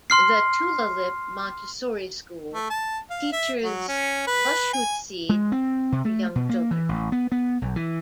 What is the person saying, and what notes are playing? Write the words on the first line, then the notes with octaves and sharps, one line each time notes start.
The Tulalip Montessori School teaches Lushootseed to young children.
C6 F6 C7
A3
A5
F5
E5
F#3
C#4
B4
G#5
G#3
C4
C3
A3
B2
A#3
E3
A1
B3
B3
B1
E3